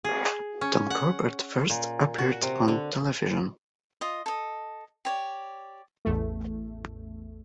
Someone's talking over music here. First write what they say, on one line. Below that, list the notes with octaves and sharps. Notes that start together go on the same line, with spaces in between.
"Tom Corbett" first appeared on television.
G#4
C#4
F#5
A#2
F#4
C3
D3
F4 D#5
A4 D#5
G4 C#5 D5
A1 E2 A3